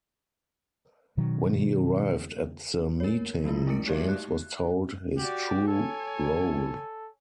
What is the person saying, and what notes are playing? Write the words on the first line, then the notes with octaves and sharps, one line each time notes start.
When he arrived at the meeting, James was told his true role.
B2 D#3 F#3
A#4 C#5
F#3 A#3 B3 E4 F4
G#3 A3 E4 A#4 C#7 D7
D#4 F#4 G4 D5 E5 F5
F#6
F#4 G4 D5
A4 C#5 G#5